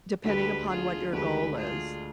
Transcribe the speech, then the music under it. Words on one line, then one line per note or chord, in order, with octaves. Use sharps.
depending upon what your goal is,
D2 D3 G#3 G4 B4
F4 G#4
D2 D3 G#3 G4 B4
F4 G#4